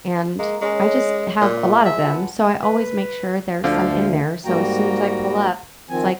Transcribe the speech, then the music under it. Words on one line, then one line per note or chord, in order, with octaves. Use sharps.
and I just have a lot of them, so I always make sure there's some in there, so as soon as I pull up, it's like
G#3 A#3
G#3 C#4
A#2
G#3 F4 E6
G#4 E5
B4 F#5 A5
B4
D2 D3 F3 F5
G#2 G3 A#3 F#4 G5 A#5
D#3 F3 C4 G#5